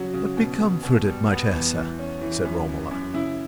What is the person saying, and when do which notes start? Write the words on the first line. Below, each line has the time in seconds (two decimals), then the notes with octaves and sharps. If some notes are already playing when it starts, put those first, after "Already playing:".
"But be comforted, my Tessa," said Romola.
Already playing: C#3 F#3 F#4
0.14 C#3
0.37 B2
0.59 B2
0.83 B2
1.06 G3
1.29 B3
1.52 E2
1.75 E3
1.99 C#4
2.21 E3
2.45 F#2
2.68 F#2
2.91 F#2
3.14 C#3 E4